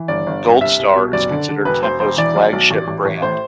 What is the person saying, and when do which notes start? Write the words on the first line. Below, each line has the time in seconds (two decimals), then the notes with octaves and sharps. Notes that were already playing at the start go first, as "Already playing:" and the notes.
Goldstar is considered Tempo's "flagship brand".
Already playing: E3
0.08 G1 D5
0.26 G1
0.44 G1
0.61 C2 E5
0.79 C2
0.96 B2
1.13 F#1 D5
1.31 D3
1.49 D3
1.65 E1 B4
1.83 E1 C5
2.00 E1 C5
2.17 E3 D5
2.36 B1
2.53 B1
2.71 A1
2.88 A1
3.05 A1
3.22 A2 C5